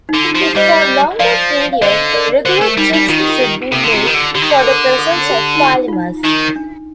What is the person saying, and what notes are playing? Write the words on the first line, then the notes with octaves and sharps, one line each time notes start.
If for longer periods, regular checks should be made for the presence of polymers.
D#4
D3
F4
F3
G4
G3 C5 D#5
F3 D5 F5
F5
D3 C5 D#5
A#4 D5
D3 C5
A3 A#4
G3 D#4
G3 D#4
D#3 F4
G4
F4
G4
C3 A4
D3
C3 F4
D#3 G4
D3
D3 G4
D#3
D3
A#4
A4
A4
G4
D#4
F4
F4
D#4
D#3 D#4
D4